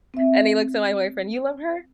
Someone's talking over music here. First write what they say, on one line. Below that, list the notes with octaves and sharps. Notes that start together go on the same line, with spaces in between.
and he looks at my boyfriend, "You love her?"
C4 E5